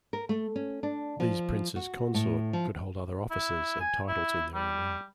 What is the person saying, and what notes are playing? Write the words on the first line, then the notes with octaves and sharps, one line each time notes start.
These princes consort could hold other offices and titles in their own right.
A#4
A3
C#4
D4
F3
F#4
A2
F3
E4
G#5
E4
G3